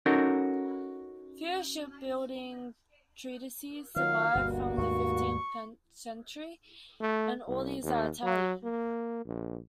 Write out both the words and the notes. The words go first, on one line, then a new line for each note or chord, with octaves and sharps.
Few shipbuilding treatises survive from the fifteenth century, and all these are Italian.
C#4 D#4 F#4 A4 A#4
D#3 F#3 F4 F5
G1 D2 G2 B2 A#3 F#4
D#2 G#2 A3 C#6
A3
C2
D#2
F#3
A#3
A#1